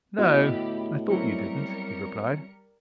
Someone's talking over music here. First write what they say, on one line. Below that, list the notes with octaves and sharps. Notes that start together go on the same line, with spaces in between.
"No, I thought you didn't," he replied.
A2 D3 B3 E4 F#4 G4 D#5 B5
F#3 G3 C4 E4 A#4 C#7